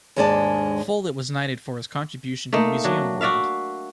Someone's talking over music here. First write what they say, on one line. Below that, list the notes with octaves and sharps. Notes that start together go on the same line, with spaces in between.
Follett was knighted for his contribution to the museum world.
D#2 G#2 G#3 D4 D5 A5
A3 A#3 D#4
F#3 D4
F#4 D5 E5 F5